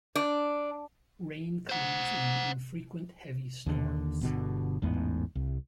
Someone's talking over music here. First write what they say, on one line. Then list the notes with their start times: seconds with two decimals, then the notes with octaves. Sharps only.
Rain comes in infrequent heavy storms.
0.15 D4
1.69 C5 F#5
3.66 D#2 D3
4.21 G1 B2 D3
4.82 A1 E2 G#2 B3
5.35 C2